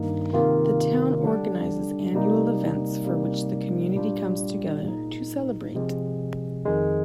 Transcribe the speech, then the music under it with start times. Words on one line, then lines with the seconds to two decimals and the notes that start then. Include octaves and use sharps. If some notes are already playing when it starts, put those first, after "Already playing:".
The town organises annual events for which the community comes together to celebrate.
Already playing: G2 D#3 A#3 D#4
0.33 C3 D#3 A#3 F4
1.24 D3 G3 D4
2.14 C3 G3 A#3 D#4
3.04 C3 G3 A#3 D#4
3.95 A#2 G3 D4 F4
4.85 A#2 G#3 D#4
5.75 C3 F3 G#3
6.66 F2 D#3 G#3